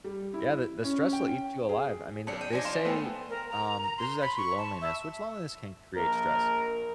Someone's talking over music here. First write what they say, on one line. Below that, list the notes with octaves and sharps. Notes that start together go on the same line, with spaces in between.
Yeah, the the stress will eat you alive. I mean, th they say, um, this is actually loneliness, which loneliness can create stress.
G3
E4
C#4
G5
G#4
B1 D3 C#4 D4 A5 C#7
G5 D#7
F3 D4 D#4 G#5 A#6
F5 C6 E7
A3 B3 C5 G5 G#5
A#4
A#5
A#5
C6
B5
C#6
A5
E5
A#1 A#4